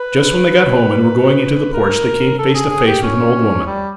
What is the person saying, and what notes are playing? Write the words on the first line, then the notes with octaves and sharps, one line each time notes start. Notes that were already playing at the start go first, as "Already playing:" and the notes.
Just when they got home and were going into the porch they came face to face with an old woman.
Already playing: B4
A#4
A4
G#4
G#4
G4
C#4
G3